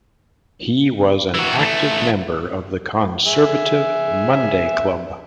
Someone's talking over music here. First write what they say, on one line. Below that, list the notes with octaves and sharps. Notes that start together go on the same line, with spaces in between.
He was an active member of the Conservative Monday Club.
E3 F#4
E3 A3
G#4 E5